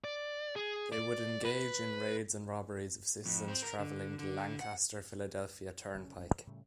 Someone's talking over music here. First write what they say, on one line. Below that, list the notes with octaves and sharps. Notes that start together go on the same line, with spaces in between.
They would engage in raids and robberies of citizens traveling the Lancaster Philadelphia Turnpike.
D5
G#4
D5
B4
F2
C4
A#4
D3
D3
F#5
F#1 C#3 C#4
D1 G2 C#4
D#2
A2 C#3 G3 A3